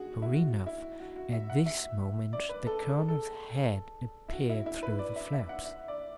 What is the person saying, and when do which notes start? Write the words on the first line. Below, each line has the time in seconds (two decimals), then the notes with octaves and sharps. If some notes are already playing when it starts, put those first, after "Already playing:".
Sure enough, at this moment the Colonel's head appeared through the flaps.
Already playing: F#4 G#4
0.22 E4
0.34 F#4
0.66 E4
1.00 F#4
1.16 F#4
1.33 E5
1.50 F#5
1.66 E5
2.33 D5
2.49 B4
2.67 A4
2.83 A4
2.95 G#4
3.08 A4
4.28 E4
4.33 F#4
4.50 E4
4.66 E4
4.83 B4
4.99 D5
5.16 E5
5.33 E5
5.49 F#5
5.65 E5
5.88 D5